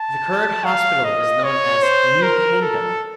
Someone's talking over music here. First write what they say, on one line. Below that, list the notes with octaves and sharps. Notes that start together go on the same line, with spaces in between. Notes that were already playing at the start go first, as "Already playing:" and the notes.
The current hospital is known as the "New Kingdom".
Already playing: A5
F5
D#5
C#5
C5
A#4
A4